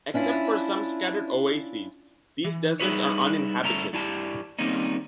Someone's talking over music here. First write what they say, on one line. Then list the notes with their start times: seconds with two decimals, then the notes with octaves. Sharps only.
Except for some scattered oases, these deserts are uninhabited.
0.14 C#4 D4 E4 F4
2.45 E3
2.80 G3 D#4 E4 G#4 B4 C#5
3.63 D2 G2 C#4 E4 A4 A#5
3.93 G2 G3 E4 G4 A5
4.59 D#3 G3 A#3 C4 C#4 D#4